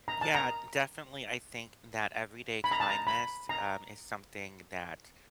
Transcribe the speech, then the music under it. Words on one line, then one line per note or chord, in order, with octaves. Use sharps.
Yeah. Definitely, I think that everyday kindness, um, is something that,
A#5
A5
A#5
B5
A#5
A5
A#5
B5
A#5